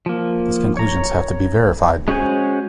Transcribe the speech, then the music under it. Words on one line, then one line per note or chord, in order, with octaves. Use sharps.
These conclusions have to be verified.
F3 A#3
C#5 A#5
G#3 C#4 F#4 C5 G#5